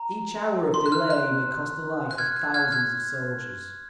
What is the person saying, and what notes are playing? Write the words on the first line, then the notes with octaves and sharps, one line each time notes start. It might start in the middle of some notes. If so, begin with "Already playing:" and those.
Each hour of delay may cost the life of thousands of soldiers.
Already playing: A#5
C6
F#6
F6
F#6
F#6
F6 G#6
F#6
F6 G#6
F6 G#6